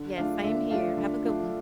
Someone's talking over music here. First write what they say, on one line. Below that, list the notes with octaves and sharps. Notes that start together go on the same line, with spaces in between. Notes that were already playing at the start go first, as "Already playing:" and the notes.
Yes, same here. Have a good one.
Already playing: D3
A3 D4 F4 F5
D3 E5
A3 D4 F4 F5
D3
A3 D4 F4